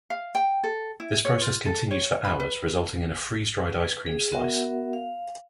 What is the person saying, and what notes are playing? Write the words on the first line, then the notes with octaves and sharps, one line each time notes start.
This process continues for hours, resulting in a freeze-dried ice cream slice.
F5
G5
A4
E4
C#5
F4
A4
C#5
B5
B4
B4
G#4
B3 F#4 A#4 E5 F#5
F5